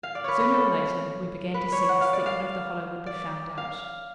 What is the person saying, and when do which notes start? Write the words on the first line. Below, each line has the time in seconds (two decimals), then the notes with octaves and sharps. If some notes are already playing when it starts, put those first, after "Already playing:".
Sooner or later we began to see the secret of the Hollow would be found out.
0.03 F5
0.15 D5
0.24 B4 C#5
0.40 B4
0.54 A4
1.54 B4
1.72 C#5
1.89 F#5
2.01 F5
2.13 D5
2.26 F5
3.06 D5
3.58 F5